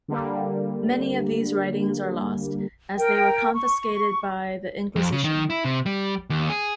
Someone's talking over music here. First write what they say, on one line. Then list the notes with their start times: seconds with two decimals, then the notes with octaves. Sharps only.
Many of these writings are lost, as they were confiscated by the Inquisition.
0.08 D3 G3 A#3
2.98 A#4 G5
3.53 C#6
4.96 F2
5.12 C#3
5.24 D#3
5.50 E4
5.65 C3
5.86 G3
6.30 D#2
6.50 G#4